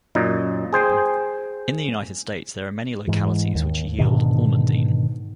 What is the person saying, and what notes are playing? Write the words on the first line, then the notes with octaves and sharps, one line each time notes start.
In the United States there are many localities which yield almandine.
F#2 A#2 D#4
G#4 C5 G5 G#5
G#2 E3
D#2
G#2 B2 D3 D#3